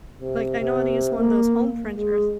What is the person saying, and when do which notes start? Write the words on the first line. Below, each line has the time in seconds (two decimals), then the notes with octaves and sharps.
Like, I know how to use one of those home printers
0.21 C3
0.59 C3
1.17 A#3
1.96 G#3